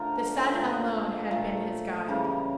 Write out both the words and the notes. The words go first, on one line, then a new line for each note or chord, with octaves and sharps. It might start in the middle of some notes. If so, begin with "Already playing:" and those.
The Sun alone had been his guide.
Already playing: D3 F3 A3 A#4
A#2 F3 A3
A#2 A3
C#3 E3 G3 A#4